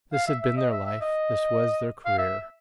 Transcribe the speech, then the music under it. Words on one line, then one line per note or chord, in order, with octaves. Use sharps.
This had been their life; this was their career.
F5
E5
E5
D#5
E5
E5
D#5
F5
E5